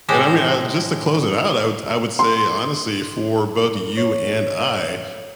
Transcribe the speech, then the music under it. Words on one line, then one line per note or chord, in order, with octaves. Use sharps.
And, I mean, I just to close it out, I would I would say, honestly, for both you and I,
A2 G#3 G4 C5
C6
C#5